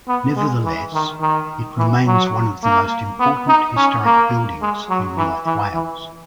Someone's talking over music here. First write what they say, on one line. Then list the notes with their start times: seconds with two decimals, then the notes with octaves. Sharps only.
Nevertheless, it remains one of the most important historic buildings in North Wales.
0.08 B3
0.36 G#3
0.65 E3
0.93 D#3
1.21 D#3
1.78 E3
2.06 F#3
2.63 A#3
3.20 B3
3.48 D#4
3.77 C#4
4.05 A#3
4.62 G#3
4.90 F#3
5.18 E3
5.46 E3
5.74 E3